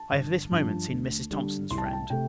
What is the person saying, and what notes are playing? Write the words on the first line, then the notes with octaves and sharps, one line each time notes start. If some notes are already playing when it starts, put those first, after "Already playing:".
I have this moment seen Mrs. Thomson's friend.
Already playing: A5
G1
G2 F3
D2
D3 G3
C2 C6
A5
G5
A5
C3 A3 G5